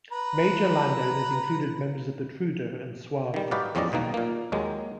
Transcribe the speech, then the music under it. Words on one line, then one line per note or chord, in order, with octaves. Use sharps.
Major landowners included members of the Trudeau and Sauve families.
B4 A#5
D#3 G3
D#4 F#4 G4 B4 D5 F5
E2 F3 G3 C#4 D5 D#5
B1 B2 D#3 A#3
A#2 A#3
D#2 D#3 F#3 G#3